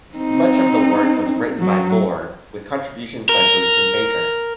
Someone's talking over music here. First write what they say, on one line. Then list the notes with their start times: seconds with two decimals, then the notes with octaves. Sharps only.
Much of the work was written by Moore with contributions by Bruce and Baker.
0.16 C4 D#4
1.59 F#3
3.29 A#4